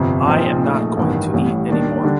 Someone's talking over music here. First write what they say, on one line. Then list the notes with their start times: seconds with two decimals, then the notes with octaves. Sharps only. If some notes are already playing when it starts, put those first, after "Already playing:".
I am not going to eat any more.
Already playing: G1 F2 C3
0.27 A#1 A#2 F3 C4 D#4
0.62 A#1 A#2 A3 D#4
0.97 A1 G2 D#3
1.33 A1 A2 G3
1.69 D#2 D#3 G3 D4
2.04 D3 G3 D4